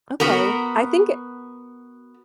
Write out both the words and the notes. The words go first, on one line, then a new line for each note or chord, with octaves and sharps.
Okay. I think it
B3 F#4 A#4